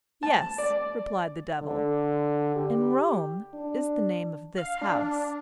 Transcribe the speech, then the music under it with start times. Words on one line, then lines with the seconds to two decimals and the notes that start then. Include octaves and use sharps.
"Yes," replied the devil, "and Rome is the name of this house."
0.23 A5
0.58 D5
1.60 D3
2.56 G4
3.54 D4
4.58 F5
4.81 D4